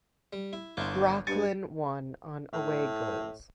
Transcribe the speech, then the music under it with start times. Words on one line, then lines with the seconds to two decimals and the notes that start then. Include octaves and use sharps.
Groclin won on away goals.
0.33 G3
0.53 E4
0.77 G1 D4 E4 F4
1.27 G2 G#5 A6 C#7
2.53 A2